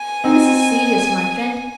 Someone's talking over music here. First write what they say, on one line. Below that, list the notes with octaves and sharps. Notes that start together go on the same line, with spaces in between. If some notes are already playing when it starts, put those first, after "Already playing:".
This is serious, my friend!
Already playing: G#5
C4 D#4